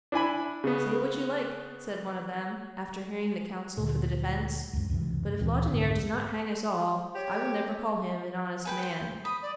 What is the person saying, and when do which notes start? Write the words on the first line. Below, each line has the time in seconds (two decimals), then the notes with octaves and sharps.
"Say what you like," said one of them, after hearing the counsel for the defence; "but if Laudonniere does not hang us all, I will never call him an honest man."
0.12 D4 E4 G#5 B5
0.64 C#3 B3
3.77 D2 A#2
4.73 C#2 F#2
4.90 C#2 F#2 C3 E3
5.40 D2 A#2 E3 C4
5.70 C2 F2 G#2 D3
7.15 G4 C#5
8.65 G#4 B4 G5
8.83 C5
9.25 B5 D#6
9.42 D5